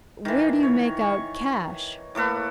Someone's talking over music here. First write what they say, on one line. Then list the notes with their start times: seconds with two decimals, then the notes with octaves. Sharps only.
"Where do you make out cash?"
0.25 D#3 E3
0.63 C#5
1.01 C#6
2.15 A2 A#3 A4 B4